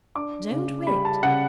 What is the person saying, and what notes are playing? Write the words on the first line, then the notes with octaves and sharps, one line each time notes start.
Don't wait.
D4 D6
C#3
G3 B5
A5
C#3 F#5